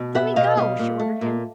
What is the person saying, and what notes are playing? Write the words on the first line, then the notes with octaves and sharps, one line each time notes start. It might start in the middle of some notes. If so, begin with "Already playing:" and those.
"Let me go!" she ordered him.
Already playing: B2
B3 E5 F#5
B2 D#5 F5
G3 D#5 F5
A#2
A3
A#2